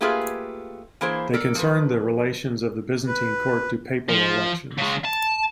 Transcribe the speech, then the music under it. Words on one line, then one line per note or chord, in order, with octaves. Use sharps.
They concerned the relations of the Byzantine Court to papal elections.
A3 A#3 F4 G4 G#4 B4
E3 A#3 E4 G#4 C5
A4 A#4 D5
F3 B4
B4
F3
C#3 G#3
A5